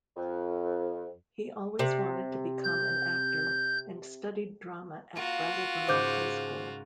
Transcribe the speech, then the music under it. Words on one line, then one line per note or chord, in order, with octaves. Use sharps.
He always wanted to become an actor and studied drama at Brattleboro High School.
F2
C3
G6
A#3 F4 F#4
G#2 C#3 C5 D6 G6